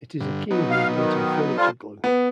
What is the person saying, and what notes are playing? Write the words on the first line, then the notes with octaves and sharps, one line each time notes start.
It is a key ingredient in furniture glue.
G2 D3
F#3 B3 D#4
F5
D#3
G3 F4 A4 C5
B3